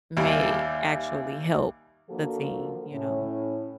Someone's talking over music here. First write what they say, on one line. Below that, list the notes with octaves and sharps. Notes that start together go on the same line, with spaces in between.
may actually help the team, you know?
D#2 G3 E5 F5 G#5
D3 F3 A#3 F#4 A4
A2 C#4